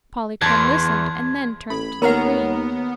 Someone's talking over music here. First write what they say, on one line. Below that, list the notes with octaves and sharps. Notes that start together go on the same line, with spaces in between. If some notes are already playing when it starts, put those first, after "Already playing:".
Polychrome listened and then turned to the Queen.
E2 A5 C6 G#6
A1 A4 B5
D#2 B3 A#4 C#5 F#5 A#5 F6